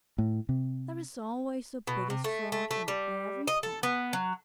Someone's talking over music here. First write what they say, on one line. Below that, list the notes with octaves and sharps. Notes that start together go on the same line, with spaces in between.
There is always a Biggest Frog in every pond.
A2
C3
B2
C3
A3
A3
A3
G3
D#5
A4
B3
F#3